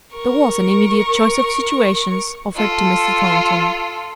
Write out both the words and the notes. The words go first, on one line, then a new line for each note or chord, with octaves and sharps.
There was an immediate choice of situations offered to Mr. Thornton.
A#4 C#6
F4 A4